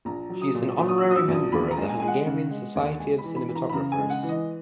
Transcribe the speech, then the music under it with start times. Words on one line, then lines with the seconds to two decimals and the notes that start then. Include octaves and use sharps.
She is an Honorary Member of the Hungarian Society of Cinematographers.
0.05 A#1 A#5
0.30 F#3
0.42 D#6
0.54 A#2
0.79 A#2
0.88 D#6
0.98 E6
1.03 F#3
1.11 D#6
1.16 E6
1.28 A#1
1.34 D#6
1.52 D#2 B5
1.71 A#5
1.78 G#3
1.89 G#5
2.00 G#3 G#5
2.08 F#5
2.26 C#3
2.51 G#3
2.75 D#2
3.00 G#3 G#5
3.18 B5
3.24 E3
3.36 B5
3.49 E3
3.55 A#5
3.69 B5
3.73 C#3 A#5
3.92 G#5
3.98 G#3
4.10 F#5
4.23 E3
4.29 D#5